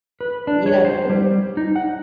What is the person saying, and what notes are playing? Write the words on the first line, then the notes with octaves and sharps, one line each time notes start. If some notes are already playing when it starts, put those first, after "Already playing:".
you know, we
B4
D4
C#5
C5
G3
D#4
F#5